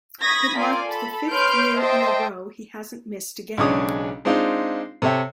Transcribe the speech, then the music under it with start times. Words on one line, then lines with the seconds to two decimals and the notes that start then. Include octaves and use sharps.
It marked the fifth year in a row he hasn't missed a game.
0.20 B5 C#6 D#6 G#6 A#6 B6
0.57 F4 A#4 D5 G#5 C6
0.87 A4 B5
1.30 B4 C#5 C6 F6 G6 D7
1.77 C5 D#5 E5 G5 A5 C6
3.58 B1 C#3 G#3 C#4 D4 D#6
4.25 G#3 C4 D4 D#4 F4
5.02 C3 A4 C#5 E5 G5